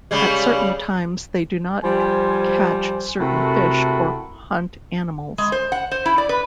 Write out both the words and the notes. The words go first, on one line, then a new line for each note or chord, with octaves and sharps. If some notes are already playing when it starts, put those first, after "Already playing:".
At certain times they do not catch certain fish or hunt animals.
C#3 G3 G#3
F3 G3 C5 G#5
C3 A3 E4 F#4 A4 A#4
G#3
C5
F#5
C5
E4
D5
B4